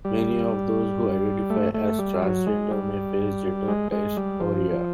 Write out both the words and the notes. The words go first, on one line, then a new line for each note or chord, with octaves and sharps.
Many of those who identify as transgender may face gender dysphoria.
G3
A3
A3
G3
F#3
G#3
G3
G#3
G#3
G3
F3